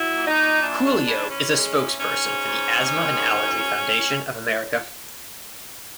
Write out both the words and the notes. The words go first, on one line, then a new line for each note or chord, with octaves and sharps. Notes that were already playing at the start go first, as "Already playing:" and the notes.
Coolio is a spokesperson for the Asthma and Allergy Foundation of America.
Already playing: F#3 E4
A#2
D#4
A#2
E3 D4
G#3
E3
E3 C#4
G#3
E3
G#2 C#4
G#2
G#2
G#3
D#3
G#2
F#2